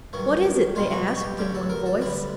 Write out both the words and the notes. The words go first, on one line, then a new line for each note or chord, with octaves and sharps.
"What is it?" they asked, in one voice.
G2 D#3 F#3
B1 B2 G3 F4
F#4
G4
F#4
G4
A1 G2 D3 F#3 G4
A4
A#4
A4
D2 D3 G3 B4